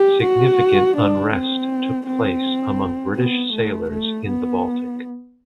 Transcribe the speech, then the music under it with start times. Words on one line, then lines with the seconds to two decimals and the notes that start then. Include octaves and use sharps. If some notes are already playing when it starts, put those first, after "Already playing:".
Significant unrest took place among British sailors in the Baltic.
Already playing: G4
0.23 F#4
0.96 D4
1.33 C4
2.07 C4
3.16 B3
3.53 A3
3.90 A3
4.27 B3